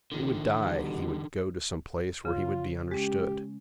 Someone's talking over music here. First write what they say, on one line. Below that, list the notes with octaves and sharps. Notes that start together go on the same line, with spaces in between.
He would die; he would go to some place where he would be understood.
A#1 D3 D#3
B2 G3
C#3 F4
G#3 C#4 G4